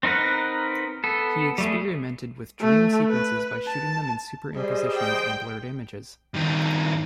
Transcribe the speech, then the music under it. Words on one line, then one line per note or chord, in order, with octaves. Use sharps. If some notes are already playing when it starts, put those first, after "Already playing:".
He experimented with dream sequences by shooting them in super impositions and blurred images.
C4 D#4 A#4 B4 F#5
B3 A4
G3 A3 G#4
A3
B4
A5
G3 G#4 C5 D#5
G5
G2 D#3